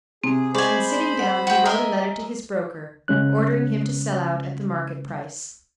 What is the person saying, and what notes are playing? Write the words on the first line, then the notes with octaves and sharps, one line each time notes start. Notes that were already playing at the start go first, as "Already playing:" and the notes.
And, sitting down, he wrote a letter to his broker, ordering him to sell out at the market price.
C3 C4 G#4
G#3 C5 D5 G#5 B5 C#6
F#5
F#4 G5
A#4 D#5 E5
C#3 G#3 C#4 F#6